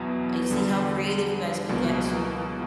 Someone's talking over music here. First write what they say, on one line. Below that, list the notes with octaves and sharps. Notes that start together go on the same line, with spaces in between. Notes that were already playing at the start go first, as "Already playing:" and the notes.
and see how creative you guys can get to,
Already playing: E2 B2 F#3 B3 E4
E2 D3 G3
C#2 B2 F#3 A#3